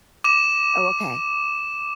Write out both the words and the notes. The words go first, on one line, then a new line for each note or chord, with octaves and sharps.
Oh, okay.
D6 E7